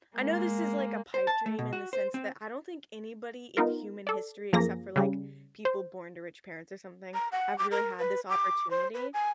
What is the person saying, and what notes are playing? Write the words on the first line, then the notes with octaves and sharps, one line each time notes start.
I know this is like a pipe dream in the sense that I don't think anybody in human history except for, like, people born to rich parents or something have really had this opportunity,
G#3 A#3
C5
A5
A3
B2
F#4
C5
C4
B3 D#4 F4 A#4
A4 D5
F#2 F3 A#3 G#4 A#6
C#3 G3
C5
A#5
F#5
D6
A#4
B4
D6
C5
B4
G#5